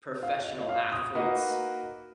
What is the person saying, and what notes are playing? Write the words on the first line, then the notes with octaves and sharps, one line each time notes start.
professional athletes
F5
D#5
D#5
F5
D#6
A#3 D#4 F#4 B4 D#5